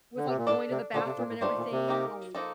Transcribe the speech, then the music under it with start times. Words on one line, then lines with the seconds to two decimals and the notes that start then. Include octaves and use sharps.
with, like, going to the bathroom and everything, like
0.17 D3
0.27 C3
0.37 A#2
0.47 A2 D4 A4 D5
0.71 C3
0.94 A#2 D3 D4 F4 A4 C5
1.06 C3
1.18 A#2
1.30 A2
1.41 G2 D#3 A3 D4 F4 C5
1.57 A#2
1.72 C3
1.88 A#3 D#4 G4 A#4
2.35 F3 A#3 D#4 A4